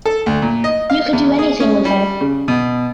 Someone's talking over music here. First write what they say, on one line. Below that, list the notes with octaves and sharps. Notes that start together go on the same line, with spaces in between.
You could do anything with her.
A4
D2
A#2
D#5
F5
E2
G#4
C#4
G3
C#3
B2